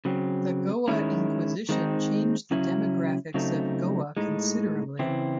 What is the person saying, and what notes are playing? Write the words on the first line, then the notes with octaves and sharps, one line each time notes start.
The Goa Inquisition changed the demographics of Goa considerably.
C#3 F#3 C4
D#3 G#3 C#4 E4
D#3 G#3 C4 D#4
C#3 F#3 C#4 E4
C#3 F#3 A3 C4 D#4
A2 G#3 D#4
C#3 E3 C4 E4